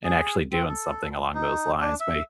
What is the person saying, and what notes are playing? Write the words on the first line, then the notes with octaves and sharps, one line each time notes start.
and actually doing something along those lines. My
G#4
C4
A4
D#4
D4
E5